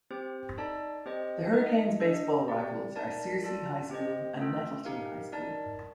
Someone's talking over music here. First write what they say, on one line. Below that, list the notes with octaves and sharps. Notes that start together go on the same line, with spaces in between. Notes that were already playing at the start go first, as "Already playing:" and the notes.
The Hurricanes baseball rivals are Searcy High School and Nettleton High School.
C4 G4 C5
D#4 A4 D5 A5
C4 G4 C5 D#5
D#4 A#4 D#5
D4 A4 D#5
C4 G4 D5
D#4 A#4 D5 A5
F4 A4 D5 A5
C4 G4 C5 D#5
A3 C4 F4 A4
D#4 G4 A#4 F5
D#4 A#4 D5 A5